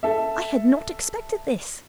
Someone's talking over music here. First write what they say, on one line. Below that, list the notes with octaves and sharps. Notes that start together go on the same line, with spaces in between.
'I had not expected this.
A4 E5